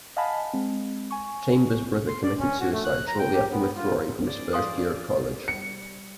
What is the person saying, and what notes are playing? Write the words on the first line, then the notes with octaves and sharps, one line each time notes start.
Chambers' brother committed suicide shortly after withdrawing from his first year of college.
D#5 F5 F#5 G#5 A5 B5
G#3 C4
G#5 C#6
C6
D5
C#4
F#4
A3
F#6
A#5
G5
G4
B3
F4
G#4 D5
F5 C6 D#6
G3 C#7